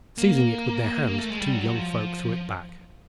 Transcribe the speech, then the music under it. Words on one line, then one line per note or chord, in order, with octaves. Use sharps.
Seizing it with their hands, the two young folk threw it back.
A#3
A#3
A3
G#3
G3
F#3
F3